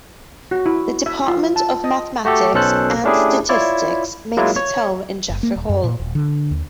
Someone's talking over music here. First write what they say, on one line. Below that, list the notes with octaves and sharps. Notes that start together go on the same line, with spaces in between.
The Department of Mathematics and Statistics makes its home in Jeffery Hall.
F#4
E4
E5
F4
A5
D#5
A3 F#4 G4 A4
B1 B2 C#4 A4 C5 F#6
A3 C#4 D4 E4 G4 G#4
E4 F4 C#5 D5
F#3 G#3 A#3 E4 F4
C#5
F#1
A#3
D#1
F#2
A#2
D#1
D3
D#2